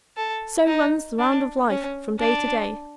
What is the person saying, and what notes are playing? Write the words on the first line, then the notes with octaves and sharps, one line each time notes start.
So runs the round of life from day to day.
A4
D#4
D4
C#4
D4